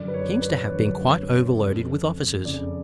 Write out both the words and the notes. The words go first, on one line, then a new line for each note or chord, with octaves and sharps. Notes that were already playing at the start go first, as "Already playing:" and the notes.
He seems to have been quite overloaded with offices.
Already playing: F#2 D3 D5
B4
C#5
B4
F#2 D3 C#5
F2 C#3
F2 C#3 D5